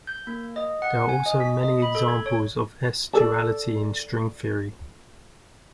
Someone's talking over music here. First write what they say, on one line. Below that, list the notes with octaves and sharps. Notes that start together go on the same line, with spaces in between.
There are also many examples of S-duality in string theory.
G6
A#3
D#5
F#5
G#5
D#5
B6
D#5
B5
A4
G#6
C#5
A4 D5 A5